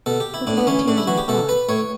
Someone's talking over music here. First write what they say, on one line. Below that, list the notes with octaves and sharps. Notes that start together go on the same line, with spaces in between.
What did their tears imply?
B2 A4
G4
E4
A2 D4
B3
E3 C#4
A2 D4
E4
E3 F#4
G4
B2 A4
B4
A2 C#5